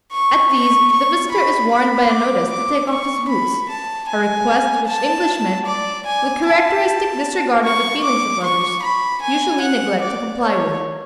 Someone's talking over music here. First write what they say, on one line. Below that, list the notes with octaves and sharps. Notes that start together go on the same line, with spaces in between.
At these the visitor is warned by a notice to take off his boots, a request which Englishmen, with characteristic disregard of the feelings of others, usually neglect to comply with.
C#6
C#6
C#6
B5
B5
D6
D6
C#6
B5
A5
G#5
A5
D5
G#5
A5
C#6
D6
C#6
B5
G#5
F#5
D5
C#5